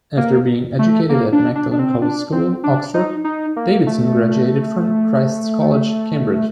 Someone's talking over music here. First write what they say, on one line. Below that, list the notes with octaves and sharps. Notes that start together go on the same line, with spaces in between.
After being educated at Magdalen College School, Oxford, Davidson graduated from Christ's College, Cambridge.
A#3
A3
A#3
D4
D4
D4
C4
D4
C4
D4
D#4
D#4
A#3
A3